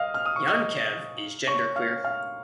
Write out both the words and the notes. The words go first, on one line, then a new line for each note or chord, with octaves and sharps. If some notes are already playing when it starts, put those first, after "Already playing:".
Yankev is genderqueer.
Already playing: D#5 F5 D#6 F6
F6
D#6
C#6
D#5 D#6
C#5 C#6
F5 F6
F5 F6